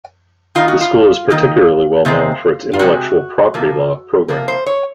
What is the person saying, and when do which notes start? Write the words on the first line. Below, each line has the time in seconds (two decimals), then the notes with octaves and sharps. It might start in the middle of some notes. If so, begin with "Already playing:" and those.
The school is particularly well known for its Intellectual Property Law program.
0.55 D#3 A#3 D#4 F4
0.68 F#4
0.81 F4
1.30 D#3 A#3 D#4
2.05 C3 D#3 G#3 C4
2.73 F4
2.79 C3 D#3 G#3 C4 F#4
3.54 C3 F3 A#3
4.28 C3 F3 A#3 A#4
4.48 C5
4.66 C#5